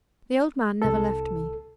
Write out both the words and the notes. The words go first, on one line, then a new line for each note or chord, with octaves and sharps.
The old man never left me.
C2 A4